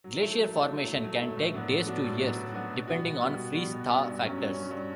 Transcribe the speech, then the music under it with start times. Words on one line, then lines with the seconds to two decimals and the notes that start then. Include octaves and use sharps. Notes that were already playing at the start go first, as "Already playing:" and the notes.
Glacier formation can take days to years depending on freeze-thaw factors.
0.04 F#3
0.20 A3 E4
0.38 F#3
0.54 A3 E4
0.71 F#3
0.88 A3 E4
1.04 F#3
1.21 A3 E4
1.37 A2
1.54 F#3 B3 D4 F#4
1.70 A2
1.87 F#3 B3 D4 F#4
2.04 A2
2.21 F#3 B3 D4 F#4
2.37 A2
2.54 F#3 B3 D4 F#4
2.70 B2
2.88 G3 B3 F#4
3.04 B2
3.21 G3 B3 F#4
3.37 B2
3.54 G3 B3 F#4
3.71 B2
3.88 G3 B3 F#4
4.04 G2
4.21 F#3 C#4
4.38 G2
4.54 F#3 C#4
4.71 G2